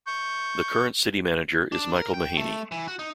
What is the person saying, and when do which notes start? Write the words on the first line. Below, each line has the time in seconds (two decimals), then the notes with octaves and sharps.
The current City Manager is Michael Mahaney.
0.07 C#6 G6
1.72 D4
1.96 A#4
2.14 G5
2.37 A3
2.72 E3
2.88 F#4
2.99 D#4